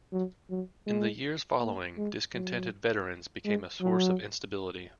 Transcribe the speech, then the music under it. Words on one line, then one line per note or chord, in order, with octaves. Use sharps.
In the years following, discontented veterans became a source of instability.
F#3
F#3
G#3
A#3
G#3
F#3
G#3
F#3